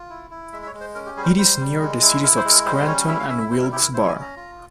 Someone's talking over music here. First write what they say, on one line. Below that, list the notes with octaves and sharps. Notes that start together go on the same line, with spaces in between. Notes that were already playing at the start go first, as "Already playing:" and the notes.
It is near the cities of Scranton and Wilkes-Barre.
Already playing: F4
E4
E4
G#3 E5
E5
C#5
G#3
C5
C#4 A#4
G4
G3 G#4
C5
A#4
G3 C5
G3
G#3
E4
E4 A#4
C5
G#3
A#4
G3 C5
C5
C#4 C#5
E4 E5
F5
E4 E5
E5
G3 C5
A#4
E4 G4
A#4
E4 C5
G#5
C#4
A#5
F4